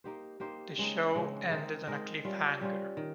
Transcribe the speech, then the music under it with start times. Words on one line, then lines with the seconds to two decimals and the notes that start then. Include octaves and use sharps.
The show ended on a cliffhanger.
0.04 A#3 D#4 G4 C5
0.40 A#3 D#4 G4 C5
0.78 C#3 G#3 C4 D#4
1.14 C#3 G#3 C4 D#4
1.50 G#3 C4 D#4 A#4
1.87 G#3 C4 D#4 A#4
2.25 G3 C#4 F4
2.61 G3 C#4 F4
2.97 D#3